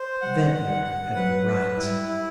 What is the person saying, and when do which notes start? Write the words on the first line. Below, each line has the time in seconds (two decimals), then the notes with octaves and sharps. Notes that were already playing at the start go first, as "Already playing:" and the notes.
Ventnor had been right.
Already playing: C5
0.22 G3 F#5
0.53 G3 F#5
0.84 F#5
1.15 F#3 B4
1.46 B4
1.77 G3 E4
2.08 E4